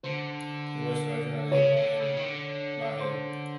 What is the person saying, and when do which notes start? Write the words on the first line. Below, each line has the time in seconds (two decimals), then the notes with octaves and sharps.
He was originally born Ma He.
0.03 D3 C5
1.51 C#3 C#5
1.76 D3
2.00 C#3
2.17 D#3
2.25 D3
3.00 C5